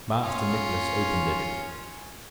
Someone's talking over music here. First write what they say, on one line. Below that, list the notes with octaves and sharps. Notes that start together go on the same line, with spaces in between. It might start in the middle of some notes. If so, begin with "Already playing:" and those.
Master Nicless opened it.
C#4 F4